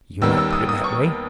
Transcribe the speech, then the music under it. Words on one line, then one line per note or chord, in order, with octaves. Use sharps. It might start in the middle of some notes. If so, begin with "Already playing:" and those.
"You might put it that way."
D#2 D#3 G3 B3 E6
E6
D#6
D#6
C#6